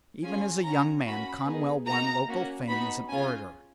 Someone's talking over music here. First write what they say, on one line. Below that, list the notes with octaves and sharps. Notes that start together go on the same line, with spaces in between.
EVEN as a young man Conwell won local fame as an orator.
C#4 F4 G#4 G#5
C#4 F#4 A#5
A#3 C#4 F#4 B5
B3 D#4 G#4
A#3 D#4 F#4 A#5
A#3 C#4 F#4
B3 D#4 F#4 B5
C#4 F4 G#4 G#5